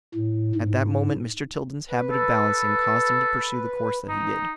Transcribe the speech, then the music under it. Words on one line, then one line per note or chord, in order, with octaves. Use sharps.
At that moment Mr. Tilden's habit of balancing caused him to pursue the course that he did.
A2
G#2
B4
A4
D#4